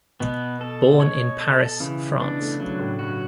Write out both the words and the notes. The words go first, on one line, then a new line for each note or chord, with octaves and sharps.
Born in Paris, France.
B2 B3
A4
C#5
A4
C#3 E3
B3 D4
A3
C#3 F#3
A2
G2 F#4